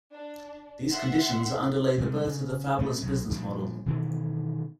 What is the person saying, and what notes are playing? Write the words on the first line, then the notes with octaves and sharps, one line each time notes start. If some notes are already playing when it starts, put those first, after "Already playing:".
These conditions underlay the birth of the fabless business model.
D4
E5 F#5 C6
C3 G3 G#3
C#3
A#2 A3 C4 C#4
B1 B2 F#3
A#2 F3 G3 D4
B2 D#3 E3 B3